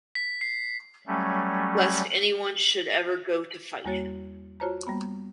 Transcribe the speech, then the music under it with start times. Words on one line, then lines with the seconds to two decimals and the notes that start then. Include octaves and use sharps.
Lest anyone should ever go to fight him.
0.15 B6
0.41 C7
1.07 F#3 G3 A3 C#4
3.85 E2 G3 A#3 F#4 C#5 A6
4.60 F4 F#4 C5 C#5 A5 A#5
4.87 G3 A#3 B3